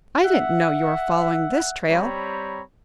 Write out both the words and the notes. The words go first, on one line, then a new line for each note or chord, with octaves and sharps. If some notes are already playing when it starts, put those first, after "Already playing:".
I didn't know you were following this trail.
E5 F#5
G3 C4 C#5 A#5 B5